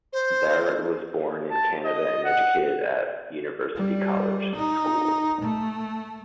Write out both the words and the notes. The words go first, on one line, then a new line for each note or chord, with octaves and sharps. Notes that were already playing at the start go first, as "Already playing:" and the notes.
Barrett was born in Canada and educated at University College School.
C5
A5
D#5
F#5
G3
D#4
A3